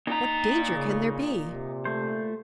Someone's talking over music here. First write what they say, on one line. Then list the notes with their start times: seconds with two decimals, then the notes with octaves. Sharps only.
"What danger can there be?"
0.07 A#2 D#4 A#5
0.68 C#3
1.45 C3
1.85 A3 C5